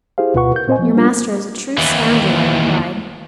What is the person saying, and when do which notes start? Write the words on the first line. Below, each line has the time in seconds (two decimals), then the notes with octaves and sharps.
'Your master is a true scoundrel!' I replied.
0.18 E4 G4 G#4 C5 F5
0.34 D2 B2 F4 B4 F#5 C#6
0.52 A#4 G6
0.68 A#2 C4 C5 D#5 G#5
0.79 F3 B3
0.94 G3 A#3 D4 F4
1.78 D#2 E3